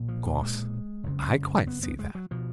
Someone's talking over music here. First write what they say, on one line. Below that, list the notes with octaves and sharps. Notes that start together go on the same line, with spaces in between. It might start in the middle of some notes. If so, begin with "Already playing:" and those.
Of course I quite see that.
Already playing: B1 A#2
F3
G#3
F#1 F2 C#3
B3
B3
G#3
F#3
B2 F3